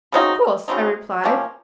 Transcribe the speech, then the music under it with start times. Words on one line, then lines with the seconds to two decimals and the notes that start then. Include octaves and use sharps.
'Of course,' I replied.
0.12 C#3 F#3 C4 D#4
0.68 C#3 F#3 C4 D#4
1.24 C3 F3 A#3 C#4